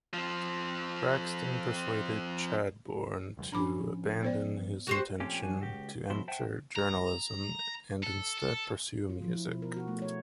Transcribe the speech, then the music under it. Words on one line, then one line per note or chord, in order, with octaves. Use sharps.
Braxton persuaded Chadbourne to abandon his intention to enter journalism and instead pursue music.
F3 C4
E1 C#2 F#2
A2 F3 C#4 D4 B5 D6
B3 C5 D5
F#4 G4 C5
A#2 F3 A3 C4 C#4 G4
F2 D4 F#4 G#5
C#2 F#4 G4
F#2 B2 F3 E4 F#4 C6
C5 E5 F#5 G5 A5
A#5
A4
A4
F4
F3
E4
B2
A#4
F#4
A3
C#5